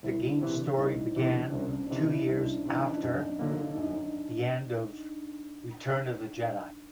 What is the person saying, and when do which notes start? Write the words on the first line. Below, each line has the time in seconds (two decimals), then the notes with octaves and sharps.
The game's story began two years after the end of "Return of the Jedi".
0.03 C2 E4
0.41 C3 E3 D4
0.78 C2 D#4
1.16 C3 E3 D4
1.43 D4
1.52 C2 C#4
1.72 D4
1.87 D4
1.90 C3 E3 D#4
2.09 E4
2.28 C2 D4
2.65 C3 E3 D4
2.76 D#4
2.86 D4
2.98 D#4
3.03 F#2
3.08 D4
3.19 D#4
3.29 D4
3.39 D3 F#3 A#3 D#4
3.51 D4
3.62 D#4
3.73 F#2 D4
3.83 D#4
3.94 D4